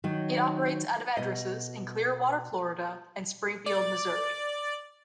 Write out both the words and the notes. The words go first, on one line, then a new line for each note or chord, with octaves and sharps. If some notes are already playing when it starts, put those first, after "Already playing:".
It operates out of addresses in Clearwater, Florida, and Springfield, Missouri.
D#3 F#3 D#4
B2 D#5
D5